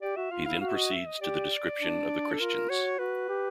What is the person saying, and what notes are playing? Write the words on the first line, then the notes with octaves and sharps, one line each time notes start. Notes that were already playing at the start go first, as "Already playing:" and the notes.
He then proceeds to the description of the Christians.
G4 D5
F#4 E5
F4 F5
E4 F5
F#4 F5
E5
D#5
E5
D#5
G4 D5
D4
A4
F4 A#4
F#4 C#5
F#4 B4
G4